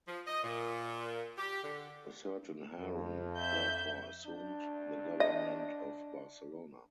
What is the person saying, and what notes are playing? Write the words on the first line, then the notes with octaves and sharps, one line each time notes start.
A certain Harun therefore assumed the government of Barcelona.
F3
D#5
A#2
G4
D3
F2
E5 G6
D4
D#5 E5